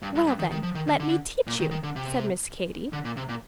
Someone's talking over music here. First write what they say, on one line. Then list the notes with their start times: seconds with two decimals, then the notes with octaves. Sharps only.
"Well, then, let me teach you," said Miss Katy.
0.02 G2
0.15 G2
0.27 G2
0.39 D#3
0.51 D#3
0.63 F3
0.75 D#3
0.88 D3
1.00 D3
1.47 A#2
1.60 D#3
1.71 D#3
1.83 D3
1.96 C3
2.93 D3
3.05 A#2
3.17 C3
3.29 A#2